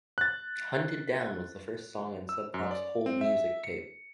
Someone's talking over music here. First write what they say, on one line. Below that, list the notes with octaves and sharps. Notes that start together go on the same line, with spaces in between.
"Hunted Down" was the first song on Sub Pop's "hold music" tape.
F#6 A6
E6
F#2
D5
C4
E5
C#7